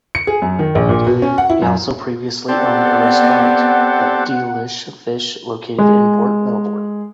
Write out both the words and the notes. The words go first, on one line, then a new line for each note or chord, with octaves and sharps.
He also previously owned a restaurant, the "D'lish Fish" located in Port Melbourne.
C#7
G#4
F#2
D#3
A#1
A#2
B2
C#4
F#5
E4
F#2
B3 C4 G4 A4 D5 F#5
G#3